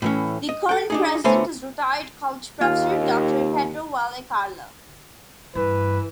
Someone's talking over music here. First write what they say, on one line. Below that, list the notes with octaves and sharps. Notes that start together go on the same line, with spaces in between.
The current president is retired college professor Doctor Pedro Valle Carlo.
A2 E3 C#4
D#5
A4 G5
D4 D#4 G#4
D3 A3 B3 C5 C#5 G#5
D#2 F4
G2 E3 B4